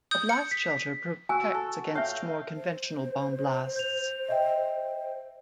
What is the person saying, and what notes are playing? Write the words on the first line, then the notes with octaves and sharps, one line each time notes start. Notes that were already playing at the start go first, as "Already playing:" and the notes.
A blast shelter protects against more conventional bomb blasts.
D#6 G6
C#7
B6
F#4 G#5 E6
A4
C#5 E5 F5 G5
C5
G6 F7
D#5 E5 G5